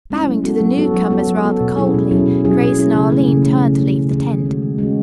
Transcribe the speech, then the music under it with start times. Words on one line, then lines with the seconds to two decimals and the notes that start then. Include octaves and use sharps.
Bowing to the newcomers rather coldly, Grace and Arline turned to leave the tent.
0.10 G#3 C#4 E4
0.27 F#3
0.44 B3 F#4 A4
0.60 F#3
0.77 B3 F#4 A4
0.94 F#3
1.10 B3 F#4 A4
1.27 F#3
1.44 B3 F#4 A4
1.60 B2
1.77 F#3 C#4 E4 G#4
1.94 B2
2.11 F#3 C#4 E4 G#4
2.28 B2
2.44 F#3 C#4 E4 G#4
2.61 B2
2.78 F#3 C#4 E4 G#4
2.95 C#3
3.11 E3 A3 C#4 G#4
3.28 C#3
3.45 E3 A3 C#4 G#4
3.62 C#3
3.78 E3 A3 C#4 G#4
3.95 C#3
4.11 E3 A3 C#4 G#4
4.29 D#3
4.45 G#3 C#4 F#4
4.62 D#3
4.78 G#3 C#4 F#4